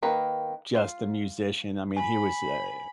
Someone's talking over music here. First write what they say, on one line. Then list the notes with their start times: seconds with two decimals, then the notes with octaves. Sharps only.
just a musician, I mean, he was a
0.03 D#3 A#3 B4
0.75 F4
1.97 G#5 B5